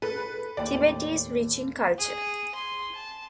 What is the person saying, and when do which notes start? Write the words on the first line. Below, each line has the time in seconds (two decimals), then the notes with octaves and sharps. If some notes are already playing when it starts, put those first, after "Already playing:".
Tibet is rich in culture.
0.02 A4 B4
0.57 D#2 A2 D5 G5
1.99 G#4
2.55 C6
2.94 A5